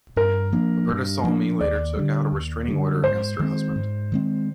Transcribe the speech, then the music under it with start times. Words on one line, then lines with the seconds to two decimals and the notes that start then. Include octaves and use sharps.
Roberta Salmi later took out a restraining order against her husband.
0.16 G2 A#4
0.52 F3 A#3 D4
0.89 G2
1.24 F3 A#3 D4
1.61 D#2 D5
1.96 D3 G3
2.32 D#2
2.68 D3 G3
3.03 G#2 C5
3.40 D#3 G#3 C4
3.76 G#2
4.12 D#3 G#3 C4